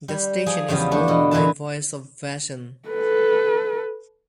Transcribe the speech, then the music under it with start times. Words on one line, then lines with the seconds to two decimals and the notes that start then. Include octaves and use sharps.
The station is owned by Voice of Vashon.
0.08 G3
0.46 F3 G#4
0.68 E2 C#3 F3 G3 B3
0.91 A3 D4
1.08 B2 B3
1.31 A#2 E3 E4 B4 A5
2.89 A4 B4